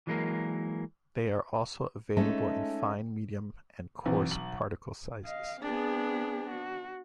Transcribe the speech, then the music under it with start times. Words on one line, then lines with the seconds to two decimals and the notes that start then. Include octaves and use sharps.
They are also available in fine, medium and coarse particle sizes.
0.07 E3 F#3 G#3 A#3 A#4
2.17 G#3 A3 C#4 D#4 A4
4.06 B1 E3 C4
4.31 F#7
5.25 D#5 F5
5.62 B3 C4 D4 G#4
6.49 F#4